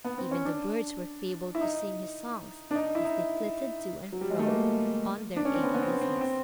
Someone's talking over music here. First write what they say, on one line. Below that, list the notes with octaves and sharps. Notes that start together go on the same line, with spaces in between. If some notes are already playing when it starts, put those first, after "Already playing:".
Even the birds were fabled to sing his songs, as they flitted to and fro on their airy business.
B3
C4
C#4
D4
E4
D#4
D4
D#4
E4
D#4
F#3
G3
G#3
A3
A#3
D4
C#4
C4
B3
B3
C4
C4
C4